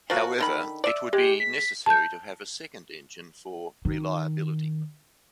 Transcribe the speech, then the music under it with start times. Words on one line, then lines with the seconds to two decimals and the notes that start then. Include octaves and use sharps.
However, it would be necessary to have a second engine for reliability.
0.10 F3 A#3 F#4
0.38 D3 D#3 B5
0.84 D5 E5
1.13 G#3 G4
1.40 B6
1.86 A5 G6
3.85 D#3